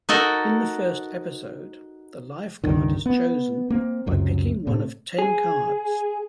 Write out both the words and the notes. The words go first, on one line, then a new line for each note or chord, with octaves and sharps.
In the first episode, the Lifeguard is chosen by picking one of ten cards.
D#4 F#4 A4 A#4
C#2 G2 D3 D#3
B3
A#3 C4
C#2 F#2 C3
A2 C3 A3
G#4